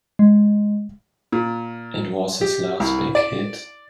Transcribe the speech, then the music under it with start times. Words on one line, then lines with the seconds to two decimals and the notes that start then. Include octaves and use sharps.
It was his last big hit.
0.19 G#3
1.32 A#2
2.41 G4
2.80 C2
3.15 D5